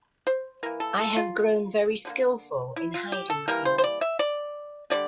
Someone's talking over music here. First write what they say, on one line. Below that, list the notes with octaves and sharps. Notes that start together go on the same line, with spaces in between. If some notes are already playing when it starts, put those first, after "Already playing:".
I have grown very skilful in hiding things.
C5
E3 A#3 A#4
A4
A4
F4
D3 G3 A#3
E4
F4
G4
A4
E3 G3 A#3 A#4
C5
C5
D5
E5
D5
D3 G3 D5